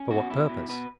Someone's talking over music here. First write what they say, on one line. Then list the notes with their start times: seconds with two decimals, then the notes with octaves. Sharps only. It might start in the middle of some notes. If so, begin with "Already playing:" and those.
"For what purpose?"
Already playing: C#4
0.11 B2 F#4
0.30 B2 E4
0.49 B2
0.69 B2 B4